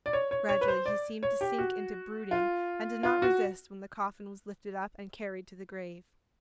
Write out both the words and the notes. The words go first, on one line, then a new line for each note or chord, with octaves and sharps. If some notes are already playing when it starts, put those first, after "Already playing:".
Gradually he seemed to sink into brooding and did not resist when the coffin was lifted up and carried to the grave.
D5
C#5
C#5
C#5
B4
C5
D5
C#5
G4
F#4
F4
F4
F#4